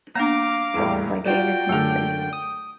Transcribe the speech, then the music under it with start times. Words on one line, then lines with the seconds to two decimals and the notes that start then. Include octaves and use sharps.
Drawn by David Mostyn.
0.15 A#3 B3 D4 F5 A#5 D6
0.74 D#1 E2 A2
1.25 F4 F#4 D5 G5
1.69 F#2 D3 A3 G#4
2.33 D#6